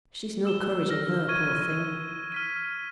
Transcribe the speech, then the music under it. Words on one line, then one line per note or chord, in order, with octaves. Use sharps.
She's no courage in her, poor thing!'
E6 E7 G7
F6 A#6
C#6 F6 G#6 D#7
F6 B6 D#7